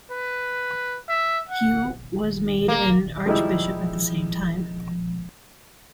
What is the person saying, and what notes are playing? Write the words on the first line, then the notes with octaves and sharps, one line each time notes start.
He was made an Archbishop at the same time.
B4
E5
F#5
A#3
F3 G3 G#3 D#4 E4